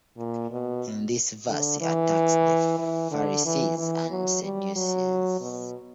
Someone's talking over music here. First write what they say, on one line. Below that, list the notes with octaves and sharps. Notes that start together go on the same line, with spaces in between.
In this verse he attacks the Pharisees and Sadducees.
A#2
B2
D3
E3
E3
D3
E3
E3
F#3
G3
F#3
B2